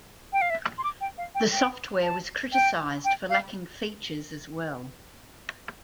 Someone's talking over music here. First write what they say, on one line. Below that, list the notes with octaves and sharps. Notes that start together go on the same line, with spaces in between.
The software was criticized for lacking features as well.
G5
F5
E5
C6
D6
G5
F5
G5
G5
A5
G5
G5
F5